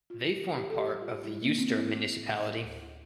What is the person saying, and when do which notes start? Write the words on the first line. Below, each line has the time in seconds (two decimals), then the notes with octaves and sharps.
They form part of the Eystur municipality.
0.10 F4
0.22 E3
0.33 G4
0.56 E3 G4
0.69 A4
0.78 G4
0.91 G3
1.02 F4
1.24 G3 E4
1.42 A#3
1.59 E3 C4
1.77 E4
1.93 A2
2.28 A2
2.63 D2